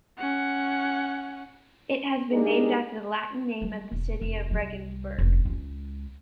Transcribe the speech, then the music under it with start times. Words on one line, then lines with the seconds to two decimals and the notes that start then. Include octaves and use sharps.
It has been named after the Latin name of the city of Regensburg.
0.18 C#4 F#5
2.32 G#3 D4 D#4 G4 G#4 A#4
3.62 G3
3.92 E1
4.21 F1
4.51 C2 G3
5.18 F1 C#2
5.45 C#2 G#3